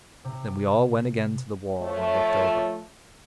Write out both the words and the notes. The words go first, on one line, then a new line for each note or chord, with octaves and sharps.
Then we all went again to the wall and looked over.
C3
F3 A3 C#5